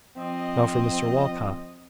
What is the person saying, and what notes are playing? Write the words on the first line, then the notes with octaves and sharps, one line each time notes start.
Now for Mr Walcot!
F3 C4 D#5